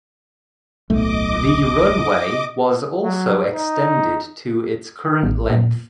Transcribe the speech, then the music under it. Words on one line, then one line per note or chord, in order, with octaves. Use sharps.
The runway was also extended to its current length.
D1 B1 A3 D#5 D6
F#3
D#4
A1
A#2